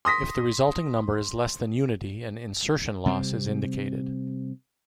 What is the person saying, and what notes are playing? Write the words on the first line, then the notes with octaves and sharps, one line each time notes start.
If the resulting number is less than unity, an "insertion loss" is indicated.
C6 D#6 A#6 B6
C3 G3 C4